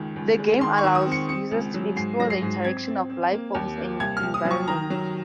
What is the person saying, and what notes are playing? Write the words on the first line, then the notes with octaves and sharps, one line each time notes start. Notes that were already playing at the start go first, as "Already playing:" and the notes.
The game allows users to explore the interaction of life-forms and environments.
Already playing: C#2 D#3
C#2
G#3
D#3 C6
C#6
D#3
D#6
C4
C#7
C4 C#7
C#2
F#3
G#2 C7
F#3 A#6
C7
G#2
C4 G#6
C4
C4
A#3
D#2
A#3
C2 G#6
F6
C2
D#6
F#3
C#6
D#3 A#5
F#3